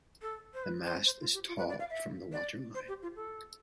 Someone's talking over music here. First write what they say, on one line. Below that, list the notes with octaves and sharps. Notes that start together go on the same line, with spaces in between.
The mast is tall from the waterline.
A4
C5
B4
C5
C5
F4
G4
F4
B4
D5
F5
E5
D5
C5
G4
F4
A4